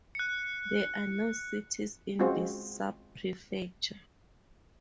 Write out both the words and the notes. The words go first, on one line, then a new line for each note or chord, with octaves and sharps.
There are no cities in this subprefecture.
F#6 C#7
G#3 C4 C#4 F4 F#4 C5